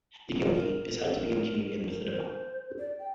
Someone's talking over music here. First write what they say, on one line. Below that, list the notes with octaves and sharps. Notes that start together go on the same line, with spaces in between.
The yogi is held to be in communion with the divine.
A#4
A#4
A4
A#4
A#4
C5
A#4
C5
D5
G5